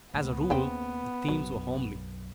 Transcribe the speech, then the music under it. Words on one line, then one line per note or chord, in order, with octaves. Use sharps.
As a rule the themes were homely.
C#2 A2 B3
D#2 C#3 C4 G5
B1 F#2 F#3